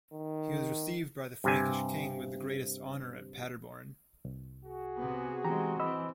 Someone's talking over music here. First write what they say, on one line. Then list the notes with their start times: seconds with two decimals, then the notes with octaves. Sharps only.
He was received by the Frankish king with the greatest honour at Paderborn.
0.14 D#3
1.44 G2 C3 G#5
4.25 C2
4.65 F#4 G#4
4.97 C3 B3
5.44 E3 G#3 C4 G4 A#5
5.80 E3 C4 D#5 B5 E6